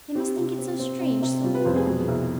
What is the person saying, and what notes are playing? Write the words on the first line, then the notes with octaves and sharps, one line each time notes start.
They must think it so strange, so rude of me!
C4 G4
C3
C4
C4
C3
C3
G3 F4
B4
F2 C5
G#4
B2 G#4
C2